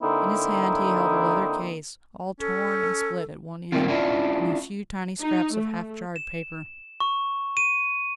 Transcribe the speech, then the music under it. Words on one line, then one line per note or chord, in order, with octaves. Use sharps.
In his hand he held a leather case, all torn, and split at one end, and a few tiny scraps of half-charred paper.
D3 A#3 C4 D#4 E4
C#4 A4
D#3 G3 A3 A#3 C4 F4
C#4 D4 E4 F4
D#4
A3
E7
C#6
D#7